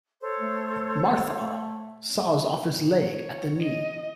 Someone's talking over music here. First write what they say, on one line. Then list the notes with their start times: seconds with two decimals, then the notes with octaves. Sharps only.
Martha saws off his leg at the knee.
0.22 A4 C5 C#5
0.38 A3
1.40 A3
2.98 C#5
3.62 D#5